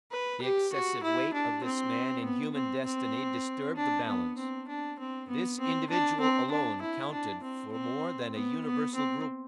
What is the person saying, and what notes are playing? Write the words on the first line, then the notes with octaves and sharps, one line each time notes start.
The excessive weight of this man in human destiny disturbed the balance. This individual alone counted for more than a universal group.
B4
G4
F#4
E4
D4
C4
B3
C4
C4
D4
B3
C4
D4
C4
B3
C4
D4
C4
D4
E4
D4
C4
C4
B3
B3
C4